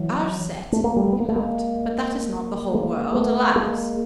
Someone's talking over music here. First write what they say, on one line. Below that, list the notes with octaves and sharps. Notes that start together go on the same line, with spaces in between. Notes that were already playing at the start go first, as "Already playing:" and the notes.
"Our set," he laughed, "but that is not the whole world, alas!"
Already playing: E3 F#3
A3
A#3
G3 A3
B3
A#3
A3
G#3 A#3
G#3 A#3
A3 B3
G#3 A#3